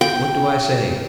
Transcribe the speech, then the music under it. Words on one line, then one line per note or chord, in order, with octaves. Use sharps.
What do I say?
G5